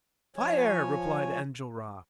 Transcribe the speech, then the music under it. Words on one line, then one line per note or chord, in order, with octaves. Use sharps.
"Fire!" replied Enjolras.
F3 C#5 G#5